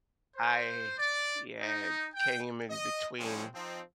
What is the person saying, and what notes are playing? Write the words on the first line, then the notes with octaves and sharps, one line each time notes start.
I, yeah, came in between.
C5
D5
D#4
G5
D#5
D3 F3 G3 G#3 C4 C#4
F3 C4 D#4